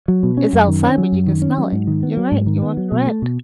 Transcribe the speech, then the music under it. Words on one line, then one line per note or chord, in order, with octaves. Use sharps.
It's outside, but you can smell it. You're right. You are correct.
F#3
B2
C#4
F#2
D#3
C#4
F#3
F#2
D#3
C#4
F#3
G#2
D#3
B3
F#3
G#2
D#3
B3
F#3
B2
A3
B2